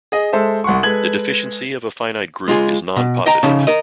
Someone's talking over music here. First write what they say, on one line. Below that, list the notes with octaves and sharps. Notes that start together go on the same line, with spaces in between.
The deficiency of a finite group is non-positive.
G#4 D#5
G#3 A4 C5 E5
C2 F#5 C6 C#6
G#3 A4 B4 G#6 F#7
G#3 F4 G#4
B2
D#5 G5 A#5
C#3 C#4 D#4 A5
A#4 D#5